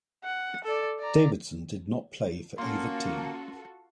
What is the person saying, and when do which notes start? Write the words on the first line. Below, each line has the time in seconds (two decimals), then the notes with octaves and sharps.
Davidson did not play for either team.
0.24 F#5
0.64 A4 D5
0.99 D5 A#5
2.58 A#3 C#4 F4 F#4 A4 C6